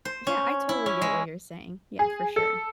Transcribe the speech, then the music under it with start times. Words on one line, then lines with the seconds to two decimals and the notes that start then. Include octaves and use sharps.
Yeah, I totally get what you're saying. Yeah, for sure.
0.05 C5
0.27 C#4
0.69 E4
0.86 C#4
1.02 G#3
1.99 G#4
2.36 A4